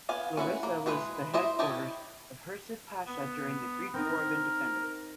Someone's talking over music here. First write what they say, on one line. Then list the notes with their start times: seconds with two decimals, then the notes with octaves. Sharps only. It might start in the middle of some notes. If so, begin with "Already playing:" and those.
Larissa was the headquarters of Hursid Pasha during the Greek War of Independence.
0.09 B3 F5 G#5
0.37 C#4 E4 F#4 B4
0.63 A#3
0.86 E3 G#3 B4 B5
1.34 E4 C5 D#5 E5
1.59 E4 G4 A4 C#5 D#5
3.06 B3
3.94 C4 D#4 A#4